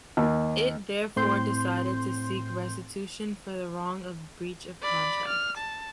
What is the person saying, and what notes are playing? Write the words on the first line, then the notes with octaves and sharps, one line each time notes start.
It therefore decided to seek restitution for the wrong of breach of contract.
D#2
A2 C4 C6 G6
D5 B5
F6
A5